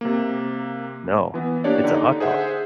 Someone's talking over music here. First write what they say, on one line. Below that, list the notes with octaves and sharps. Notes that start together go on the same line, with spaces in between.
No. It's a hot dog.
C3 A#3
E3 B3
A#3 D4 G4 C#5 D5
D3 D#4
G#4 C5 E5 F#5